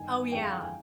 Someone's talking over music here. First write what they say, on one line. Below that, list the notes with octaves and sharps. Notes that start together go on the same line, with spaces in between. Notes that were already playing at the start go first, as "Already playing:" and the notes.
Oh, yeah,
Already playing: G1 G2 D#3 G#5
F2 D3 G#3 G5
F5
G5
G#5